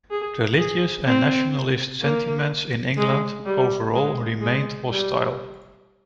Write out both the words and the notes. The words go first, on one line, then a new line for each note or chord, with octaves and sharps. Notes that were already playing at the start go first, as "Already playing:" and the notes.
Religious and nationalist sentiments in England overall remained hostile.
G#4
G#4
C4
A#3
G#3
G3
G#3
G#3
G3